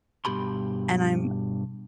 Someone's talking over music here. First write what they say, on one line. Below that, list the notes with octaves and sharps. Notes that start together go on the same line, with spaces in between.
and I'm
G2 B2 G4 B5 C6